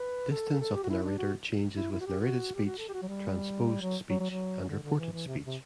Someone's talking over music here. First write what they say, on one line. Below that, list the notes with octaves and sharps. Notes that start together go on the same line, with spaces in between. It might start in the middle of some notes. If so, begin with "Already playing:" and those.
Distance of the narrator changes with narrated speech, transposed speech and reported speech.
Already playing: B4
A4
A4
G4
F#4
E4
D4
F#4
E4
E4
F#4
G4
F#4
G4
F#4
A4
G4
F#4
F#3
G3
F#3
F#3
F#3
F#3
D3
D3
E3
E3
C3
C3